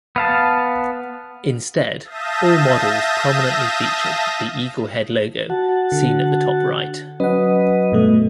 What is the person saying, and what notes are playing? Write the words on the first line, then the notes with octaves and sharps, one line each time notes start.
Instead, all models prominently featured the Eagle head logo, seen at the top right.
B3 F5 A5
E5 F5 A5 D#6 G6 A#6
F#4 F#5 A5
D3
F#3 C#4 B4 D#5 F#5
G2 B2 A3